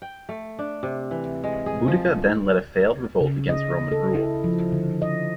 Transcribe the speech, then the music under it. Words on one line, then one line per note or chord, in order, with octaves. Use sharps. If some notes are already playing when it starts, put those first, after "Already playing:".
Boudica then led a failed revolt against Roman rule.
G5
A3
D4
C3
E3
G#3
G#4
F3
C#3
D#5
A4
E4
F3
D3
D#5